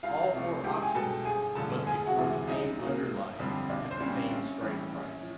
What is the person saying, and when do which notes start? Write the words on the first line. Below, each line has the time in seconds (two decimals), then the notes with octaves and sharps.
All four options must be for the same underlying at the same strike price.
0.03 C2 F4 F5
0.33 C3 F3 A3
0.64 C#2 G4 G5
0.83 G#5
0.95 B2 F#3 B3 A4 A5
1.25 G1 G#4 G#5
1.55 G2 D3 F3 A4 A5
1.86 E1 G#4 G#5
2.06 F#4 F#5
2.17 D2 C3 E3
2.47 C2 D#4 D#5
2.78 A#2 F#3 A#3
3.09 G1
3.39 F2 D3 G3 C4
3.69 B1 D4 D5
3.91 C5
4.00 A#2 G3 C4 C#4 C#5
4.31 A#1
4.61 A2 E3 G3
4.92 A#1
5.23 F3